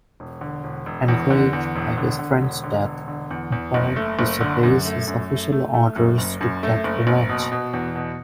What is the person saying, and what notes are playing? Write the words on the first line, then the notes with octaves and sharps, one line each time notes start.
Enraged by his friend's death, Bond disobeys his official orders to get revenge.
E1
D3
E1
E1
E2
D3
E2
E1
D3
D3
E1
D3
E1
D3
E2
E2
F#1
A3
F#1
D3
F#2
A3
F#2
A3
A3
A3
F#2
F#1
F#2
A3
F#1
F#1
B2
B2
E2
B2